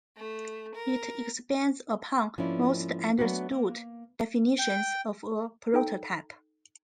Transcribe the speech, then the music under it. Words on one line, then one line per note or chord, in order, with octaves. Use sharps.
It expands upon most understood definitions of a prototype.
A3
A#4
G#2 F3 A#3 C#4 D4 E4
F#3 A3 B3 C4 D4 F#4
A#3
G5
D#4 A4 G5